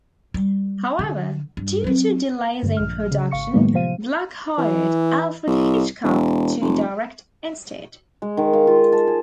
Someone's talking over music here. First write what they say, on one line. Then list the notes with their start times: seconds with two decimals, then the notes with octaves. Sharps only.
However, due to delays in production, Black hired Alfred Hitchcock to direct instead.
0.34 G3
0.99 D3
1.57 G2
1.84 F#3 C4
2.63 G2 D3
2.77 A#1 F6
3.11 C#3
3.31 G#1 F5 C#6 C#7
3.54 A2 D#3 F#3 G#3 A#3 B3
3.73 C3 F3 C5 F5 D#7
4.58 E3
5.47 C2
6.04 E1
6.61 F1
8.22 G#3
8.37 D#3
8.53 F5
8.67 F4
8.92 A5
9.07 G#4